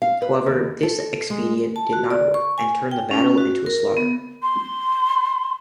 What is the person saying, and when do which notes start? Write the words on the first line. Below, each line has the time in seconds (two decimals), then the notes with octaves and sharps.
However, this expedient did not work, and turned the battle into a slaughter.
0.02 F5
0.22 B4
0.46 D#2
0.83 A4
1.30 G#3
1.76 A5
1.93 F#4
2.10 D5
2.34 C#6
2.58 G#5
2.91 G5
3.11 C#4
3.38 F#4
3.66 A#4
3.97 B3
4.42 C6